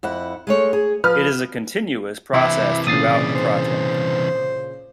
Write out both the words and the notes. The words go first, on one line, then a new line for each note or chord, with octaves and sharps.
It is a continuous process throughout a project.
F2 E4 F#5
G#3 A3 C#5
G#4
F3 B4 F6
C3 E3 E4 D6 B6
A#2 C#3 D#6 A6 C7
D5
C5